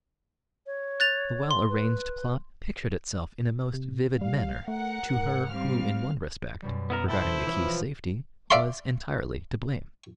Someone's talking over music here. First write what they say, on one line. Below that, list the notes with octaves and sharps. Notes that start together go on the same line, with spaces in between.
The well-arranged plot pictured itself in a most vivid manner to her who in one respect, regarding the key's safety, was entirely to blame.
C#5
F#6 A6 F7
C6
B4
C3
G3 F5
A3 A#4 F#5
G#2
G3 C4 F5 F6
F#2 B2 G3
B3 E4 A#4 D#6
E4 A4 C5 G5 A5 E6
E3 F3 B3 C#5
D5 E5 F5 A5 B5 C6